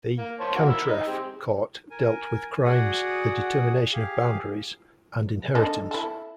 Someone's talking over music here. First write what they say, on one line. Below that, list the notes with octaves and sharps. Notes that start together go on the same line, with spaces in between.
The "cantref" court dealt with crimes, the determination of boundaries, and inheritance.
A#3
C5 C#5 A5
D#3 A#3 F#4
A#4 B5 E6
D#4
G#3 C4 G4
A#4 G#5
F#4 G#4 D5 F#5 D#6
G4 G#4 F5
D4 D#4 A4
E4 A4